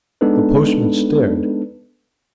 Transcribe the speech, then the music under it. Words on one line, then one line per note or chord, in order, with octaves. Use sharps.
The postman stared.
G#3 B3 D4 D#4 A4 B4